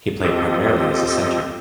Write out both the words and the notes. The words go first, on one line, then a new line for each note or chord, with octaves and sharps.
He played primarily as a centre.
C4 F4 G4 A4 D#5